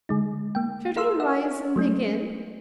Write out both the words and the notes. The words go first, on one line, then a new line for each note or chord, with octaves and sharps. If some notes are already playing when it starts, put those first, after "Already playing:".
Should he rise and begin?
D3 G#3 D#4
A#3 G5
E4 A#4 F5 C6 E6
E5 F#5 E6
F#3 A3 C#4